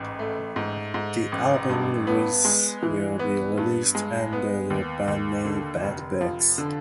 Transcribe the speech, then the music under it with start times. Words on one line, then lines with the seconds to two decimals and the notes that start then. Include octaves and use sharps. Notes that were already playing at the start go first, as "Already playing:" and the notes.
The album with will be released under the band name "Bad Books".
Already playing: A1 G#2
0.19 A3
0.56 G#2
0.94 G#2
1.32 A1
1.69 G2
2.07 B3
2.45 G#3
2.83 E3
3.19 B3
3.57 G2
3.95 G#3
4.33 B3
4.70 D#2
5.08 D#2
5.45 D3
5.83 F1
6.21 F3
6.58 D3